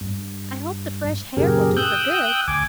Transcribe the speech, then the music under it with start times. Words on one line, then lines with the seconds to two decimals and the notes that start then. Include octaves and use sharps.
"I hope the fresh h'air will do her good."
0.01 G2
1.37 F#2 A#2 C#3 G4 G#4 A#4
1.77 G5 D#6 E6 F#6 G6
2.48 D2 G#5 D6